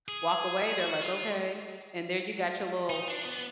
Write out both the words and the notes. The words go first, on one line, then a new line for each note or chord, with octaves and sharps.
Walk away, they're like, "Okay," and there you got your little
G#4
F#4
F4
D#4
D4
B3